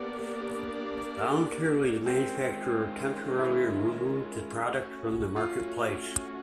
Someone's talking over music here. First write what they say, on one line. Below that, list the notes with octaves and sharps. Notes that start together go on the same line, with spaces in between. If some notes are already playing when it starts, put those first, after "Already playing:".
Voluntarily, the manufacturer temporarily removed the product from the marketplace.
Already playing: A#3 B3 D4 G4 A#4 D5
D#3 G#3 C4 C#4 F4
E4
A3 C#4 F#4
F4